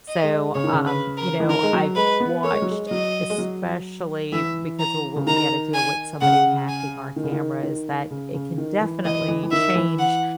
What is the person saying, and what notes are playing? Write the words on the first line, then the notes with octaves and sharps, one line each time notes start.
So, um, you know, I've watched, especially because well what we had to deal with somebody hacking our cameras, that it can definitely change
D#5
G#3
C#3 C#5
D#3
C#3
B4
A#4
E3
D#3 A#4
G#3
F#3
G#3 B4
B3
A#3 C#5
G#3
F#3
G#3
F#3 D#5
G#3
F#3
E3 E5
A#5
C#3
D#3 A#5
G#5
C#3 F#5
G#5
D#3
C#3
D#3
D#3
C#3
C#3
D#3
E3
E3 D#5
E3
E3
D#3 E5
E3
F#5